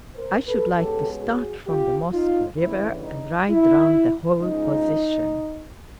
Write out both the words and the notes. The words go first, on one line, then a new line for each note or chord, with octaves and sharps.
"I should like to start from the Moskva River and ride round the whole position."
A#4 C5
A4 B4
B2 G#3 C#4 G4 A4
F#4 G#4
F4 G4
D#4 F4
D2 C#3 E3 G3 E4
D#4
E4
C#3 F3 G#3 D#4